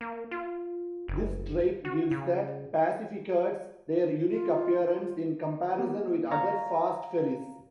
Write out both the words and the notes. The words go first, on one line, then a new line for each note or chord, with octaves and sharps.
This trait gives the PacifiCats their unique appearance in comparison with other fast ferries.
A#3
F4
F#1
F#4
C#3
F4
A#3 B3
C#5 F5 A#5